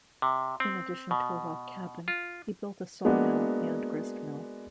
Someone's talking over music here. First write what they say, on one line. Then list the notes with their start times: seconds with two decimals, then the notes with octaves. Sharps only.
In addition to a log cabin, he built a sawmill and gristmill.
0.22 C3
0.60 C4
1.11 B2
2.08 F4
3.05 G#3 A#3 B3 D4 F#4